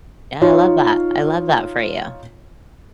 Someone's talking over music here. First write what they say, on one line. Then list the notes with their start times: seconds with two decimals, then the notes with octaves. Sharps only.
Yeah, I love that. I love that for you.
0.42 D#4 F4 C#5